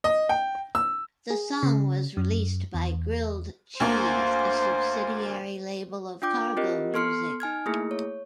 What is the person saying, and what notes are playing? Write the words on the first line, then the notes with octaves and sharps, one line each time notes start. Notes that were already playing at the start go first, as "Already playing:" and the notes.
The song was released by Grilled Cheese, a subsidiary label of Cargo Music.
D#5
G5
E6
G#4
C#3
F#2
E2
D2 A#3 C5
D4 F4 G5 D6 G6
C4 F4 G4 A#4 D#5
B3 A4 C6 F6 C7 C#7
D#4 G#5 F6 G#6
A3 A#3 E4 G#4
C#5